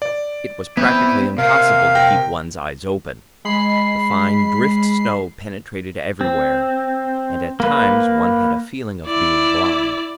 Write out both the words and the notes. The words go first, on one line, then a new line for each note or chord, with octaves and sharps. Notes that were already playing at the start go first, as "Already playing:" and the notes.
It was practically impossible to keep one's eyes open; the fine drift-snow penetrated everywhere, and at times one had a feeling of being blind.
D5
B3 C4 E4 B4 G6
C3 A#4 F5
G5 A#6
G#3 B5 C7
C4
A#3 B4
E4 D5